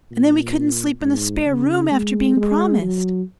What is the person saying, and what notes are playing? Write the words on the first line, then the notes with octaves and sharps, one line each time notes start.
And then we couldn't sleep in the spare room after being promised.
A#2
G#2
C#3
G#3
G#3
F#3